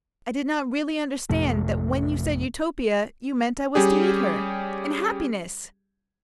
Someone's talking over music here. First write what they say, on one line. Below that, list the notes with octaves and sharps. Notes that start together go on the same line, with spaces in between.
"I did not really understand that when you said Utopia, you meant I was to meet her--in happiness."
A1 F2 C3 A3
G3 C#4 G4 G#4